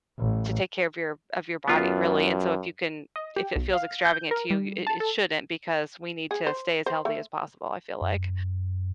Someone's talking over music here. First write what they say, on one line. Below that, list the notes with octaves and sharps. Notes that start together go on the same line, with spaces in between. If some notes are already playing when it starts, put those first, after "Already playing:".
to take care of your of your body, really, and so if you can if it feels extravagant to you, it it shouldn't because we need to stay as healthy as possible, I feel like.
A1
F#2 B3 F4
D#5
G4
B1
F5
G6
A#4
G3
A5
A4
G#4
C5
C5
A3
F#2